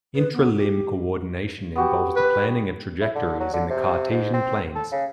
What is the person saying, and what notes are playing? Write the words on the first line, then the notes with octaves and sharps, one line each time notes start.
Intra-limb coordination involves the planning of trajectories in the Cartesian planes.
B4
B3
G4
B3 F#4 G4
B4
E4
D3
F#3
D3
C3
G#2
C4
A4
C#3